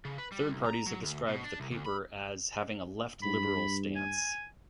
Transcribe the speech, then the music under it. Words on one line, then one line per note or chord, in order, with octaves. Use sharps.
Third parties have described the paper as having a left-liberal stance.
C#3
B4
G3
C2
A#5
F#3
D2
B2
D4
C2
D2
B5
G2 B5
G#5